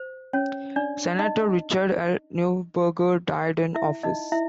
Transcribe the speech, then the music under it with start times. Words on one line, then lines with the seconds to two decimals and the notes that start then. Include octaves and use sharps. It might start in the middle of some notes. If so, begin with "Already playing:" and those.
Senator Richard L. Neuberger died in office.
Already playing: C5
0.33 C#4 C#5
0.76 D4 D5
1.19 D#4 D#5
3.75 E4 E5
4.03 D#4 D#5
4.32 E4 E5